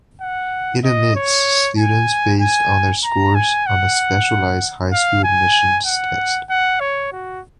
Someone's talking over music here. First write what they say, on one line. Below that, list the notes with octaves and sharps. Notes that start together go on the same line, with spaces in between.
It admits students based on their scores on the Specialized High Schools Admissions Test.
F#5
D#5
C#5
G#5
G#5
A#5
G#5
F#5
F5
G#5
F#5
F#5
C#5
F#4